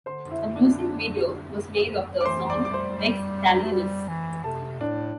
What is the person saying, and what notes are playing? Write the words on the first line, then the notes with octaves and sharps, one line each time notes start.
A music video was made of the song "Rex Talionis".
D3 C5 C6
E4 E5
D4 D5
D4 D5
D6
E3 C5 C6
D5 D6
G3 D6
C5 C6
G3
A3
G3
E3
C3 A4 A5
A2 D4 D5